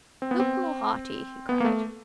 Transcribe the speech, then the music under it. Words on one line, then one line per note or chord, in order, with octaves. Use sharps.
"Look more hearty!" he cried.
C4
B3
C4
B3
A#3
A3